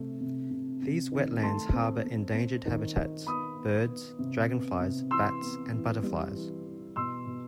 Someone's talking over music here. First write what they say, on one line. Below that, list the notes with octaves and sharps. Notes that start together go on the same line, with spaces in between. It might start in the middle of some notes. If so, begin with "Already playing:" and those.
These wetlands harbour endangered habitats - birds, dragonflies, bats and butterflies.
Already playing: C3 A3
C3
C3
C3
D#3
A3 A5 C6
C4
C4
C4
D#3
D#3
B3 B5 D#6
B3
B3
C3
B3
C3
E3 C6 E6
B3
E3
G3
E3
E3
B2 C6 E6
B2